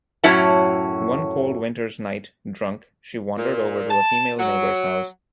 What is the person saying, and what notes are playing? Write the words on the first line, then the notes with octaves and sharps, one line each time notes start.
One cold winter's night, drunk, she wandered over to a female neighbour's house.
F#2 A2 F#3 C#4 E4 A5
A#2
A5
F#3